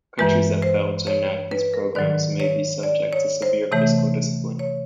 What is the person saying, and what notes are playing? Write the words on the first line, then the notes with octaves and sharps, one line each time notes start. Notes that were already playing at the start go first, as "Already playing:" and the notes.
Countries that fail to enact these programmes may be subject to severe fiscal discipline.
G2 E3 G#3 B4
C5
C#5
B4
A#4
G#2 D#3 F#3 D5
C#5
D5
C#5
C5
C3 E3 A3 C#5
C#5